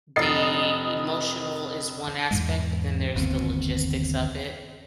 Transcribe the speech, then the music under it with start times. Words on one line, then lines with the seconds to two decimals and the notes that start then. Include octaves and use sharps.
the emotional is one aspect, but then there's the logistics of it.
0.16 F1 D#5 A6 C7
2.31 E2 G#2 G#3
3.15 G1 D#2 B3 C4